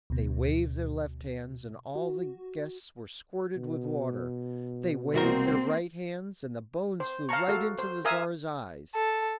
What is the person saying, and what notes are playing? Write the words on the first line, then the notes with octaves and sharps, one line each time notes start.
They waved their left hands and all the guests were squirted with water; they waved their right hands and the bones flew right into the Tsar's eyes.
D2 B2
F#4
B2
C2 A#3 C4 F#4 A#4
C5
F5 A5 A#5 C#6
F#4 A4 F5
C5
A#4 E5 F5 G#5 D#6 E6
A4